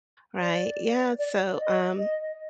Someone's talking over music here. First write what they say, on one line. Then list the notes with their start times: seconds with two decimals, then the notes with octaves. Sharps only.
Right, yeah, so, um,
0.40 D5
1.19 D5
1.59 D#5
1.98 D#5